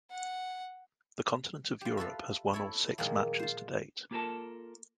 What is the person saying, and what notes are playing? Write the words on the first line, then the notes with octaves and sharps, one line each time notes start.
The Continent of Europe has won all six matches to date.
F#5
F4 G4
F4 A4 B4 E5
E4 A4 C#5 E5
A#2 D#3 F3 G#3 A#3
F4 C5
A#3 F4 G4 A4 A#4 A5